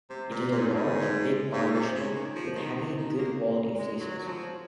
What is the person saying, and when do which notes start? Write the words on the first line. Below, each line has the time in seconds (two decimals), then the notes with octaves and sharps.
It is a large, big-bodied sheep with heavy, good quality fleeces.
0.10 C3
0.31 A#2
0.51 A#2
0.59 G#2
0.67 F#2
0.75 G#2
1.54 G#2
1.74 C3
1.95 C#3
2.15 D#3
2.35 F3
2.56 D#3
2.77 C3
2.98 D#3
3.18 A#3
3.79 G#3
4.00 F#3
4.19 F#3
4.27 F3